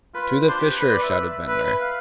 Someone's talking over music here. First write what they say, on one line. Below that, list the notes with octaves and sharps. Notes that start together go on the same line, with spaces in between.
"To the fissure!" shouted Ventnor.
F4 B4
D4 C5
G4
B4
B4
D5
E5
E5
B4
F5